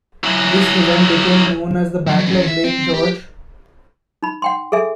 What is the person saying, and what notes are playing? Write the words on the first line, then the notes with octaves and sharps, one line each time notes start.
This event became known as the Battle of Lake George.
E3 F#3
F3 F#3
E3 C#4
E5
C4
G4
D#4 B5
F#5 G5 C6
G#4 A4 E5 G#5